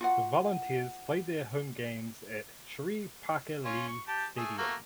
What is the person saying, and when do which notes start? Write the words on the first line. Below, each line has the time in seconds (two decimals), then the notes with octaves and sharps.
The Volunteers play their home games at Sherri Parker Lee Stadium.
0.01 F4 F#4 F#5
3.65 C#4 F4
3.87 C#6
4.07 G4 A5
4.37 A3 G#4
4.58 A3 A#3 F#4